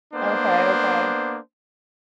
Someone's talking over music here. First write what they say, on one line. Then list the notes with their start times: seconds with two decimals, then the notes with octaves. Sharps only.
Okay, okay.
0.14 A#3 B3 D4 C5